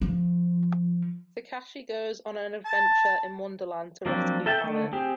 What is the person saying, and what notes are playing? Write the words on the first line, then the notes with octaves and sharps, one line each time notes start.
Takashi goes on an adventure in Wonderland to rescue Alice.
F3
A5
F3 F#3 A#3 C4 D4
A4 E5 G5 A5
D3 A3
C4 G4 G#4